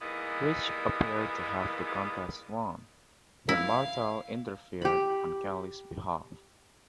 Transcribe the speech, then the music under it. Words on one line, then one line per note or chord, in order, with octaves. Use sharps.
Rich appeared to have the contest won, when Martel interfered on Kelly's behalf.
D#3 E3 G3 G#3 A#3 B3
E4 F5
G4 B5